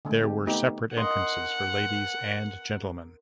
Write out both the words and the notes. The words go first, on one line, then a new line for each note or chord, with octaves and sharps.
There were separate entrances for ladies and gentlemen.
D3 G#3 A3
C4 G4
A3 B3 D#4 G4
A#4 D#5 F#5 C6